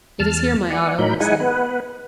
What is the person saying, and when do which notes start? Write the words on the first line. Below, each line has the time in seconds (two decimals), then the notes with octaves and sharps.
"It is here, my Otto," he said.
0.20 E2 A5 F6
0.70 D5 F#5 G#5
0.98 A2 F#3 D#4 A#4 B5 G6
1.20 G#3 D#4 E4 F#5 G#5
1.40 B3 B4